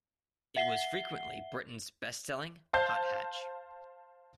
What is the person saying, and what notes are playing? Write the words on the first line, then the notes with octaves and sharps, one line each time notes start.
It was frequently Britain's best-selling "hot hatch".
E5 F#5 C7 G7
C5 F5 A5 G6 C7